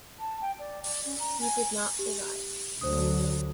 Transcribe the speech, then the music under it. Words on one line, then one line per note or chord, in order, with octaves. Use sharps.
He did not survive.
A5
G5
D5
D5
C#4
A#5
G#5
G4
D2 D3 F#3 C5 D#6